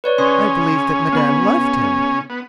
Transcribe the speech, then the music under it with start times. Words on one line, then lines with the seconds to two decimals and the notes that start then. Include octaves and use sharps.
"I believed that Madame loved him."
0.04 B4 C#5 D5
0.18 C#3 C#4 C6 D#6
1.13 B3 B5
2.30 B3